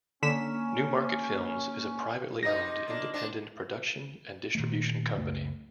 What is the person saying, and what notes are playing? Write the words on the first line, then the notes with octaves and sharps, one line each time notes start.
Newmarket Films is a privately owned independent production and distribution company.
D3 A#3 C#4 B6 E7
C3 D#4 D#5 A#6
A#3 D4
C4 D4
A#2 D#3 A3
F#1 C#2 A3